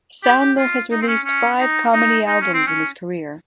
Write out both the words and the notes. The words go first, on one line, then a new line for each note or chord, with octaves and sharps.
Sandler has released five comedy albums in his career.
G4
G4
F4
D#4
C4
C#4
C#4
D#4
D#4
D#4
C#4
C4
C#4